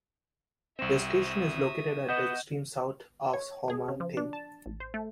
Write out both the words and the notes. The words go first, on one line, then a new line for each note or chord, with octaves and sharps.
The station is located at the extreme south of Ho Man Tin.
C2 C4 E5 C#6 D#6 A#6 E7
B3 D#5 F#5 G6 E7
C#5
G#4
C#3
F3
D4
A5
A1
C5
A3